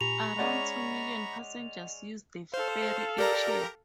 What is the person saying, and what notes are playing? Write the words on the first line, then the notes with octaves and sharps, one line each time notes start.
Around two million passengers use the ferry each year.
A#2 G4 G#5 A#5 B5 C#6 F7
G#3 C#4 D5 D#5 F#5
A4 C5 F5
G4 A#4 D5 A#5